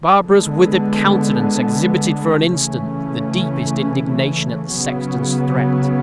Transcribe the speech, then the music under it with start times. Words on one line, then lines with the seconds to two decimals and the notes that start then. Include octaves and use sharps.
Barbara's withered countenance exhibited for an instant the deepest indignation at the sexton's threat.
0.23 D3 G#3 B3
2.49 C#3 E3 A3 C#4
4.75 C#3 F#3 B3